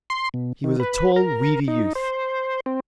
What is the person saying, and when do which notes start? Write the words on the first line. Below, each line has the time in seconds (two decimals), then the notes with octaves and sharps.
He was a tall, weedy youth.
0.10 C6
0.34 B2
0.64 D#3
0.80 B4
1.16 A#4
1.68 D#4
1.95 C5
2.66 C4